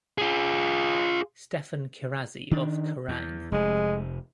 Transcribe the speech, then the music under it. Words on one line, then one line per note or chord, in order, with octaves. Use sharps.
Steffan Chirazi of Kerrang!
F4 G#4
D#3 D4
E2
F1 C3 G#3